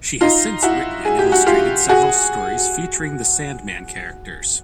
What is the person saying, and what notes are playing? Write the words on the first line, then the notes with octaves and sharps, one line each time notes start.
She has since written and illustrated several stories featuring the Sandman characters.
D#4 F4
E4 F#4
G#4
G4
F#4
F4 G4
F#4 G#4